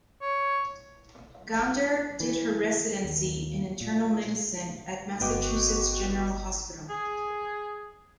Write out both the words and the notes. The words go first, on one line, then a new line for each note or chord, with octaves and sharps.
Gounder did her residency in internal medicine at Massachusetts General Hospital.
C#5
E3
D#2
A#2
G1 B3 F#4 D#5 F#5 G5 D6
G#4